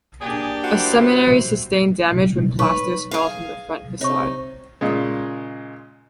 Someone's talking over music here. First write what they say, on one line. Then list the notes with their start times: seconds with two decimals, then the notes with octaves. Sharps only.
A seminary sustained damage when plasters fell from the front facade.
0.21 A#3 D4 G4 G#4 D5
0.64 E4 F#4 C5
2.59 D#4 B4 C#5 C#6
3.11 G#4 F5
4.01 C3 D#4 C#5 C#6
4.81 A#2 C#3 G#3